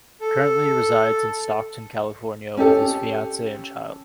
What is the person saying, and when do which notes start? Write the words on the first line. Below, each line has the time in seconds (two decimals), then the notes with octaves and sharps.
Currently resides in Stockton, California with his fiance and child.
0.21 A4
2.57 C#4 G4 A4